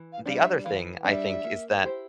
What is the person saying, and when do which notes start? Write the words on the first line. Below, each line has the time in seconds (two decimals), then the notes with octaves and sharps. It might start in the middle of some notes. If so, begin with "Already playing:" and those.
The other thing I think is that
Already playing: E3
0.13 F5
0.26 G3 D4 F5
0.39 E5
0.65 E3 F5
1.05 G3 D4 E5
1.44 A#3
1.83 E4 G4 C5